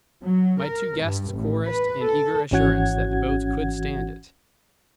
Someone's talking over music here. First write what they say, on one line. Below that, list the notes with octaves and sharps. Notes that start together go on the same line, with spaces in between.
My two guests chorused an eager assurance that the boats could stand it.
F#3
A#4
G2
A1
B4
A4
G#1 E3 C#4 F#4 F#5 G#6